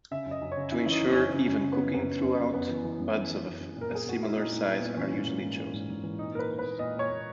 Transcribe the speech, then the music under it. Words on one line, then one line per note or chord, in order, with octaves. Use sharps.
To ensure even cooking throughout, buds of a similar size are usually chosen.
C#3 E5
F#2
D#5
F#2
C#5
C#3
C#3 E4
E3 E4
D#4
C#3
F#2 C#4
C#3 C#4
F#2
C#3
F#2 B3
F#2 B3
F#2
F#2
F#2
F#2 B3
E3
E3
F#2
E3
E3
F#2
F#2
A#2
A#4
A#2 G#4
A#2 F#4
A#2 E4
A#2 D#4
A#2
A#2
B3
A#2
E3 C#4
G#2
G#2
E3
E3
G#2
G#2
E3
A#2 D#4
A#2 A#4
B4
A#2
B4
A#2
A#2 D#5
A#2 C#5
A#2